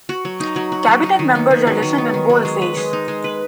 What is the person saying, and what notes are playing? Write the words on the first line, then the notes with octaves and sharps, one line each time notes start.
Cabinet members are listed in bold face.
F#4
F#3
D#4
F#3
F#4
F#3
D#4
D#3
B3
D#3
F#3
D#3
B3
D#3
F#3
G#3
B4
G#3
D#4
G#3
B4